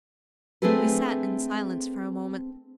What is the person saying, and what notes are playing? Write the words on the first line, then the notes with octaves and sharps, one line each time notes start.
We sat in silence for a moment.
A3 C4 D4 G#4 A4 B4